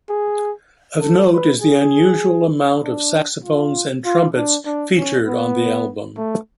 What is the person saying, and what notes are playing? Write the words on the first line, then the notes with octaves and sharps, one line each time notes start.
Of note is the unusual amount of saxophones and trumpets featured on the album.
G#4
A4
B4
G#4
D4
F4
F4
D4
D4
C#4
B3
A3